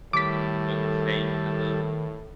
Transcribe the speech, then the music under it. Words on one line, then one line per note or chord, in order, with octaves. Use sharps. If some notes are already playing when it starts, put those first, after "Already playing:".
what you're saying to them.
A2 D#3 G3 A4 D6 B6